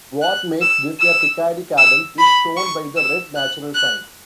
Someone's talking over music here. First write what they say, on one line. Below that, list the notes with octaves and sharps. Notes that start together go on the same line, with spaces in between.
What makes this a Picardy cadence is shown by the red natural sign.
F#6
E6
E6
E6
B5
C#6
E6
F#6
F#6